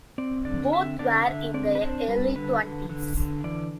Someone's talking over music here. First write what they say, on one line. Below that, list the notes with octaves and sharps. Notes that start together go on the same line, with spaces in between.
Both were in their early twenties.
C4 D5
D3 D5
C4 E5
D3 D5
D3 E5
C4 D5
B4
D4 C5
G3 B4
D3 B4
D3
D3
D3
E3 D5